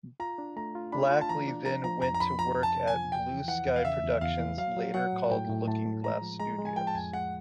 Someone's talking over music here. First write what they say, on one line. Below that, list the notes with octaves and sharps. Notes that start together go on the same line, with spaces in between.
Blackley then went to work at Blue Sky Productions, later called Looking Glass Studios.
F4 A#5
D4
A3 A#5
F4
D4 B5
F4
A5
E3 A#5
D4
F3 A#5
F3 A#5
F2 A#5
A#5
F2 B5
F3 A#5
F2
A5
C3
G#5
F3
E2 G5
E3
E3 F#5
E2
F5
C#3 E5
E2
E2 F5
E3
F#3 F5
F#3
F#3 F#5
A2
A2 G5
A2
A2 A5
A2
G#3 A#5
F3
G#3 A#5
G#3
G#5
F3 G5
A5
F2 G#5
G#3 F#5